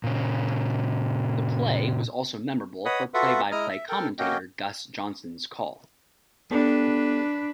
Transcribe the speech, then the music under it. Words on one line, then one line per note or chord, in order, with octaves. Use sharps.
The play was also memorable for play-by-play commentator Gus Johnson's call.
A#2 C#3
B4 C#5 D#5 F#5 B5 D#6
F4 F#4 A4 B4 E5 F#5
G#3 E4 D#5 A#5 D#6 F6
E5
A4 A#4 G5
A#3 C#4 F#4 D#5 G5
B3 D4 G4 A4 B4